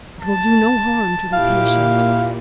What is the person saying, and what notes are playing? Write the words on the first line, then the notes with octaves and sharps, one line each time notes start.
It will do no harm to be patient.
A5
A#2 E4 G4 F5